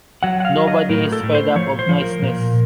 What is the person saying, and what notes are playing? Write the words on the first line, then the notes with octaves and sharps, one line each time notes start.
Nobody is fed up of niceness.
F#3 F#5
F#5
F5
F#3
D#5
A2 A#4
A4
A2
C5
F3 C#5
C5
F3
A#4
A#2